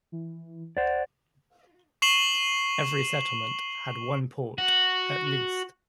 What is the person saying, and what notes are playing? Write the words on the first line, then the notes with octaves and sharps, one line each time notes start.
Every settlement had one port, at least.
E3
C5 D5 F#5
C#6 C7 E7 F#7 G7
F#4